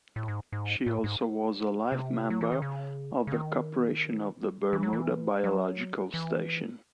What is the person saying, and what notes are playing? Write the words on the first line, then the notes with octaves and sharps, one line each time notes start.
She also was a Life Member of the Corporation of the Bermuda Biological Station.
A2
G#2
G#2
A2
G#2
C3
F#3
E3
D#3
C#3
C#3
D#3
E3
F#3
E3
F#3
E3